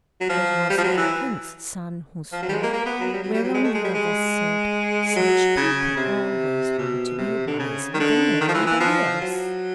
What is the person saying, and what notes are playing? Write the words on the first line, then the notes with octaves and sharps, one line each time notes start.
It was a king's son who spoke; whereon the others said, "Such people always want to be wiser than everybody else."
F#3
F3
G3
F3
F#3
E3
F3
F#3
G3
G#3
A#3
A#3
B3
F#3
G3
F#3
G3
F#3
G#3
A3
G#3
G3
G#3
F#3
C#3
C3
B2
C3
D3
C#3
D#3
D3
D#3
F3
E3
E3
F3
F#3